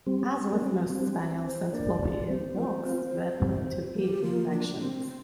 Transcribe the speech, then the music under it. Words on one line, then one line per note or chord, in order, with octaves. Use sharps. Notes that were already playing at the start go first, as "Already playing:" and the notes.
As with most spaniels and floppy eared dogs, they are prone to ear infections.
G3 C4
D4
A#3
G3 C4
G3 C4
C4
C5
A#3 D4 D5
G3 C4 C5
C4
F3 A#3 C5
C4 F4
G3 C4
F3 A#3 G4
F3 A#3 F4
D4
C4
C4